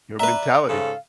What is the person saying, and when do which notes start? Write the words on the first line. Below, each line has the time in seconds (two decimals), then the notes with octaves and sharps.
Your mentality.
0.20 B4 D5 E5 A#5
0.69 G#2 C#3 A4 F5